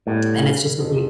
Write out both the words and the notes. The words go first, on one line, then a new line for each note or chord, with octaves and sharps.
and it's just a great
A2 G3 B3 E4
F2 C#3 F#3